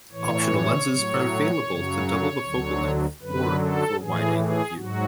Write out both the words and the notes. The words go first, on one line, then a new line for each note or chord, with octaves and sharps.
Optional lenses are available to double the focal length or for wide-angle view.
A2 E3 C#5
A2 F#3
F#2 C#3 F#3
D2 D3 F#3
F#2 D3 F#3 B4
A4
A2 E3 G#4
G#4
G#2 F#3 F#4